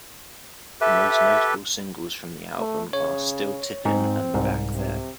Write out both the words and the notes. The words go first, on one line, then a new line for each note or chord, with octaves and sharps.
The most notable singles from the album are "Still Tippin'" and "Back Then".
G4 A4 B4 E5
A3
C#3 C#5
G#2 C4
C2 G#2
C3